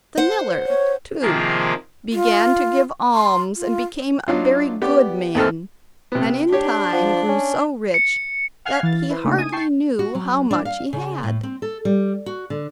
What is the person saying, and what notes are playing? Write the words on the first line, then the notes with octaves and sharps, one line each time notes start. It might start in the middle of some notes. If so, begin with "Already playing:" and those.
The miller, too, began to give alms and became a very good man, and in time grew so rich that he hardly knew how much he had.
C5 F#5
C#5
C3 D#3 F3 A#3 F4 G#4
F4
C6
F4
F#3 D4 D#4 F4
B3 G4 D5
D#2 A3 C4 A4 A5 F6
C3 B3
D4 G4 C#5
F3 F#5
C#4
C#7
F5 F#5 G#5 F6 G#6 C7
E3 F5 A6
E4 B4 C5
C#3 A3 A#3 D4 D#4
G#5 D#6 D#7
G5 A5 C#6 C7
F#4
F#3
D4
F5
C#3
A2
C4
A4
G3
F#4
D3